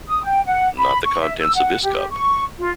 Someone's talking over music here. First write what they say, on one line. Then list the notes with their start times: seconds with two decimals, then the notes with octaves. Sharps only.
Not the contents of this cup.
0.09 D#6
0.23 G5
0.46 F#5
0.78 B5
1.04 C#6
1.21 E5
1.40 E6
1.55 F#5
1.83 G4
2.11 C#6
2.58 F4